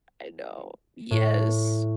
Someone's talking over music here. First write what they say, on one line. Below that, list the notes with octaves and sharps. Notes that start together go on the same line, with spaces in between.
I know. Yes.
A2